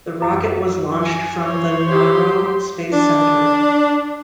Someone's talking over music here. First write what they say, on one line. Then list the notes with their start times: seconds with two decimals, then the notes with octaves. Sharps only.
The rocket was launched from the Naro Space Center.
0.22 F#2
1.02 G#5
1.40 C5 C#5
1.85 G4 C6
2.93 D4